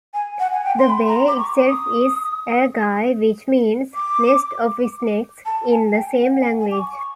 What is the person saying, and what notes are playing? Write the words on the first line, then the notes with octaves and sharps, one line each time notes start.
The bay itself is Allagai, which means "nest of snakes" in the same language.
G#5
F#5
G#5
G5
C6
B5
A#5
D6
C#6
D6
D#6
D6
A5
G#5
G5
F#5
G#5
G#5
D6
C#6
C#6